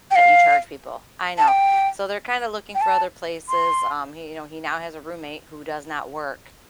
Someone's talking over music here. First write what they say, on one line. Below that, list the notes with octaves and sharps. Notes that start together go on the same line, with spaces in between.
that you charge people. I know. So they're kinda looking for other places. Um, he you know he now has a roommate who does not work.
G5
F5
A5
G5
G5
A5
C6